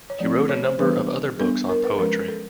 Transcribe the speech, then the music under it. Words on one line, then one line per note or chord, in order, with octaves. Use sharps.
He wrote a number of other books on poetry.
C#5
F3 A3 C4 D5
C#5
C5
E3 G3 B3 D4 B4
G3 B3 D4 A4
A#4
B4
A4
F3 G#3 C#4 A#4
A4